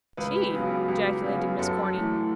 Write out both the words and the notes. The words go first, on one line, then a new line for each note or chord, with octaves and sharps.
"Tea!" ejaculated Miss Corny.
C#2 B4
G4
C#3 F#3 B3 F#4
G4
F#4
C#2 G4
C#3 F#3 B3
F#2 A4
E3 A3